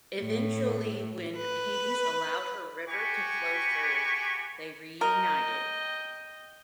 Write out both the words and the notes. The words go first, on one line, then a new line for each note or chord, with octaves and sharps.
Eventually when Hades allowed her river to flow through, they reunited.
A2
B4
F#4 G4 G#5 B5 C#6
A#4 D#5 G5